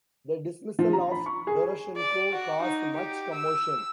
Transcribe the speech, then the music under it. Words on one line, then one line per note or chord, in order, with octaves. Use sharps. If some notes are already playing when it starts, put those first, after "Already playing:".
The dismissal of Doroshenko caused much commotion.
F3
A#5
B5
C#6
G#4
D5
F#4
D#4
G4
E6